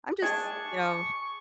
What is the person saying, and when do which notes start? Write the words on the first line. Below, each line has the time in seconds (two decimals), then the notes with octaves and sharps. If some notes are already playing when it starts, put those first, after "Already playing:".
I'm just, you know,
0.22 D4 G#4 C#6